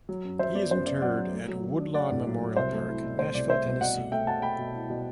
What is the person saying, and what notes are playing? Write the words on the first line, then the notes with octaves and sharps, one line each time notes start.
He is interred at Woodlawn Memorial Park, Nashville, Tennessee.
F#3
F#2
F#3 C5 E5
B3 D5
F#2 C5
F#2 D5
F#3 D5 F#5
F#3
A3
F#3
F#3
D4
A3 D5 F#5
A2
F#3
F#3
C2 C5 E5
A3
E4
B2
A3 C5
C2 D5
A3 C5 E5
C2
B2 D5 F#5
A3
A3 E5 G5
B2 F#5 A5
A3 G5 B5
B2
E4
B2